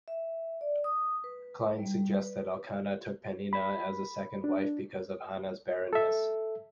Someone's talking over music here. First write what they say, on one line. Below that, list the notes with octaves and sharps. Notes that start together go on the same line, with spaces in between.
Klein suggests that Elkanah took Peninnah as a second wife because of Hannah's barrenness.
E5
D5
D#6
B4
G3
B4
B5
D4
A4 E5